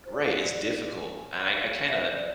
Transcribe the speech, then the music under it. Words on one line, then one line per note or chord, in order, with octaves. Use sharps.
Right, it's difficult, and I I kinda
C5
D5
E5
D5